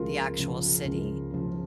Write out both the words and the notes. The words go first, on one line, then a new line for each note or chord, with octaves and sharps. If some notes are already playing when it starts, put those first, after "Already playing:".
the actual city
Already playing: C#2 C#3 F3 F4 A#4
C#3 F3
C#2
C#3 F3